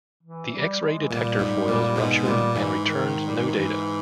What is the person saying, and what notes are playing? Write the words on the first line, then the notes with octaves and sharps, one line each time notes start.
The X-Ray detector foils ruptured and returned no data.
E3
G3
G#3
E3
A#2 G3
G#2
A#2
G#2 B2 G#3
A#2 G3
G#2 E3
D#3
G3
E3
D#3
E3